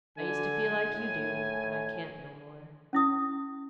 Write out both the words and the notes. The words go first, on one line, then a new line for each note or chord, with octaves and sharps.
I used to feel like you do, but I can't no more.
D3 G#5
A2
C#4 E4 D#6